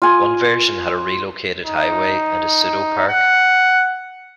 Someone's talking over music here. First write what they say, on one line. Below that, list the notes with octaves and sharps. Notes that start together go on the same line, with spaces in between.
One version had a relocated highway and a pseudo-park.
F4 G#5 D#6
D#4
F#5